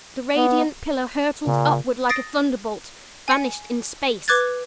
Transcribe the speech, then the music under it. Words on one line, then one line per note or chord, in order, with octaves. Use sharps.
The radiant pillar hurtled upward like a thunder-bolt; vanished in space.
B3
A#2 C#3
D#6 A6 A#6 C7 D7
G#5 C#7
B4 D6 F#6 G#6 A6